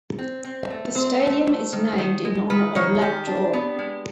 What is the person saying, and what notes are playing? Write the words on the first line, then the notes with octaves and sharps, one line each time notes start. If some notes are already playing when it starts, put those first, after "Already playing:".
The stadium is named in honour of Lat Jor.
C4
C4
A3
C4 C5
A3
A3
D#3
D#3
G#3
D#3 B4
D#3 C#5
D#3 G4
D4
B3
G#3